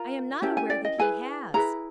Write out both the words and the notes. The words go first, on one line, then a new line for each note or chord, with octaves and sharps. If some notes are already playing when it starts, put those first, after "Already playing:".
"I am not aware that he has."
Already playing: F4 A#4 A#5
C#4 E4 G4 A#4 A5
G#5
D5
D#5
E4 G#4 B4 G#5
E4 G#4 B4 A#5